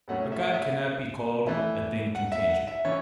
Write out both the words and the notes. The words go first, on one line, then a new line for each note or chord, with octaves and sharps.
But God cannot be called a thing contingent.
A2 F#3 A3 C#4 F#5
E5
E5
E3 A3 E4
F#5
E5
F#5
E5
E3 C#4 C#5